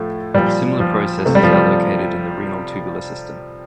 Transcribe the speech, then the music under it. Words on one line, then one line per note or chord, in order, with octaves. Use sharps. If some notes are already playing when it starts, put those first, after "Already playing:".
Similar processes are located in the renal tubular system.
Already playing: A2 F3 A3
A#2 F3 G3
F3
C3 F3 A3
G3
F3
G3